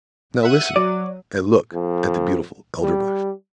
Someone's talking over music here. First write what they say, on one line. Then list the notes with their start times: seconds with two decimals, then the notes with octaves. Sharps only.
Now listen, and look at the beautiful Elderbush.
0.43 E5 F#5 D#7
0.76 F#3 D5
1.72 F2
2.82 G3